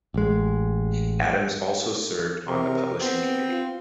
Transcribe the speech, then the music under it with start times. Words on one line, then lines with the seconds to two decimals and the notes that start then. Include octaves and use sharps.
Adams also served on the Publishing Committee.
0.14 A1 G#3
2.47 C3 A#4
3.01 B3 C4
3.50 F4